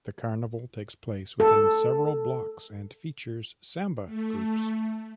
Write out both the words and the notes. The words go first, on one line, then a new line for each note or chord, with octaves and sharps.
The carnival takes place within several blocks and features samba groups.
A4
A3